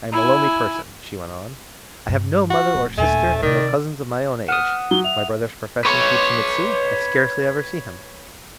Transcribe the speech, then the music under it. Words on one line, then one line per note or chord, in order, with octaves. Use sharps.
I am a lonely person," she went on; "I have no mother or sister, and no cousins of my own age. My brother's profession keeps him at sea; I scarcely ever see him.
E4 G#5
G2
F#4
D1
D#2 A#2 A3 D4 G#5
C3 D#3 D5
F#5 D#6 F6 E7
F#3 G7
E5 F7
B4 C#5